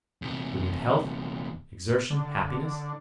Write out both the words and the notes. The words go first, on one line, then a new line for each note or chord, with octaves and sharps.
Renewed health, exertion, happiness!
E2 C3
D3